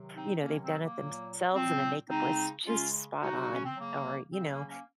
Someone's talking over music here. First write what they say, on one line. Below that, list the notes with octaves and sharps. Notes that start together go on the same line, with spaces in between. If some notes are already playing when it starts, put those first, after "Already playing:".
you know, they've done it thems selves, and the makeup was just spot on or you know,
Already playing: C3 D#3 F#3
C4 D#4
C3 D#3 F#3 A#3 C#4
C4
A#3
A#2 F#3
A#2 F#3 C4
C#3 G#3 C4 D#4
C#3 G#3 C#4 F4
C#3 F#3 D#4 F#4
D#4
C#4
C4
C#3 F#3 A#3
C#3 F#3 C4
A#3 C#4
A#3 C#4